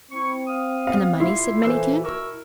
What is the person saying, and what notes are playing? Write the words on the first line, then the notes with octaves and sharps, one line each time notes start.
"And the money?" said Manicamp.
C4 E4 C#6
F5 D#6
B3 F5
A#2 E4 F4 G4 C6
E3 A4 C5 E6
B2 A#4 C#6 E6